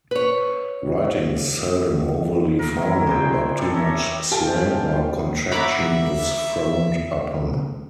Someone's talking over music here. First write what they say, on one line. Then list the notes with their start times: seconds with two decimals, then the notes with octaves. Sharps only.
Writing is seldom overly formal, but too much slang or contraction is frowned upon.
0.11 B4 C#5
2.59 A#4
2.78 D#3 E4
3.07 A#2 G#4 G5
3.58 G3 A4
3.74 C#5 E5 A#5
4.32 F4 G4 A4 G5 G#5
5.52 B3 E4 F#4 E5 A#5 B5 D6